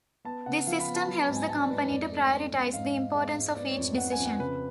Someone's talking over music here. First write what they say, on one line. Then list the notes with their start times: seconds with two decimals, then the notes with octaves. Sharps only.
This system helps the company to prioritise the importance of each decision.
0.25 B3 A5
0.46 C#3 F#5
0.67 F3 F5
0.80 B5
0.87 B3
0.95 A5
1.08 F#3 B5
1.22 A5
1.29 G#2
1.35 G#5
1.49 G#2 A5
1.60 D5
1.70 G#2 B4
1.91 F2 D5
2.12 A3
2.32 C#4
2.53 F2
2.73 G#2 F5
2.94 G#2
3.15 G#3
3.35 G#2
3.57 B3 D5
3.71 C#5
3.78 F2
3.98 B3 F#5
4.12 G#5
4.18 F2
4.25 F#5
4.39 C#3 B4